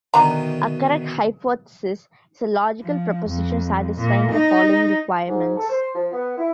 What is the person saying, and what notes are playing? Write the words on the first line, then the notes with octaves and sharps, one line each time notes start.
A "correct hypothesis" is a logic proposition satisfying the following requirements.
D2 B2 D#3 D4 A#5
F3
F2
A#2
D#4
G#2
A4
C5
F3
B3
E4